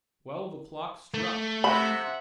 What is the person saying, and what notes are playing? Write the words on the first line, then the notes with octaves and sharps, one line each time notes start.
Twelve o'clock struck!
A3
C3 E5 F#5 B5